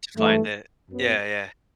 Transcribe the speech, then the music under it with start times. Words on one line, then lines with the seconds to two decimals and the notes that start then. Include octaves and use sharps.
To find it. Yeah, yeah.
0.17 G2 E3 A3
0.88 F#2 F#3 B3